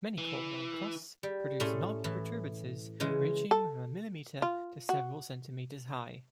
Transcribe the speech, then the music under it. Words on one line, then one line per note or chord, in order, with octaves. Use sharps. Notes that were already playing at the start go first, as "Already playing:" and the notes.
Many coralline crusts produce knobby protuberances ranging from a millimetre to several centimetres high.
E3
G3
A2 A3 C#4 C6
A2 E3
C#3 E3 G#3
A4
F4
F#4